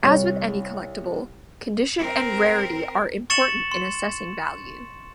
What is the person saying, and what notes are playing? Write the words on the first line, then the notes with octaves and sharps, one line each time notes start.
As with any collectible, condition and rarity are important in assessing value.
C2 C#5
C4 A#4
C#6 A6 C#7 E7 F#7
C6